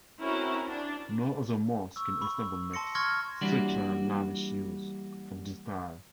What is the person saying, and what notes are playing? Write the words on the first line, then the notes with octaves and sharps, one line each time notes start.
No other mosque in Istanbul makes such a lavish use of these tiles.
C4 C#4 E4 F#4 A#4
D4
C#6 E6
B5 C#6
A5 C6 A#6 C#7
C6 C#6 F6 G#6 A#6
E3 G3 A#3 D4 F#4